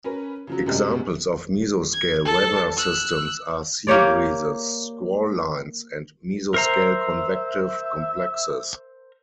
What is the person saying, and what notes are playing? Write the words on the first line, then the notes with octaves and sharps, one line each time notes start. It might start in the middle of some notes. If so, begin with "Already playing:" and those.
Examples of mesoscale weather systems are sea breezes, squall lines, and mesoscale convective complexes.
C#4 A#4 B4
C#3 F3 F#3
F#2 C3 G3 G#3
G#6
A4 A5
E6 F#6
A#3 G4 C#5 D5
A#4 C5 E5 A#5